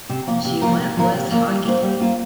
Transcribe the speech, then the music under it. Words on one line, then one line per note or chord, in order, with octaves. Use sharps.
She went with hockey.
C3
F3 A#3 F4 A#4
C3
F3 A#3 F4 A#4
C3
F3 A#3 F4 A#4
C3
F3 A#3 F4 A#4
G3
A#3 F4 C5
G3
A#3 F4 C5